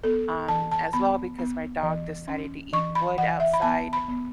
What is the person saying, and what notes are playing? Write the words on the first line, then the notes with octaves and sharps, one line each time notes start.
um, as well because my dog decided to eat wood outside,
B3 A4
E3 A5
A5
B3 B5
B3
E3
C#4
E3 C#6
B5
E3 F#5
E5
B5
B3 A5
B5
B3